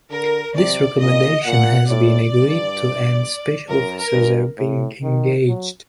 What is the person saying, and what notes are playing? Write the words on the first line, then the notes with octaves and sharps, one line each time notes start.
This recommendation has been agreed to and special officers have been engaged.
D3 A#4
C3 D5
A#2 D#5
A#2 F#5
A2 D5
G2
F#2 A#4
A#4
G2
A2
D#3
F#3